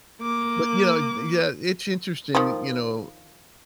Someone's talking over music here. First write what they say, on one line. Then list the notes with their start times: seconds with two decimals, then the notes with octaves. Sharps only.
But, you know, yeah, it's interesting, y you know,
0.22 A#3 D6
2.35 D#3 F3